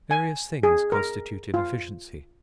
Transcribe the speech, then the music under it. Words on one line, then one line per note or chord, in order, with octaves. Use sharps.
Various things constitute inefficiency.
G#5
G#4
A#4
F4